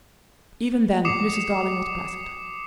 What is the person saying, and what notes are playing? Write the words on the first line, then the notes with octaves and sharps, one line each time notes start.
Even then Mrs. Darling was placid.
D6 D#6 C7 C#7 E7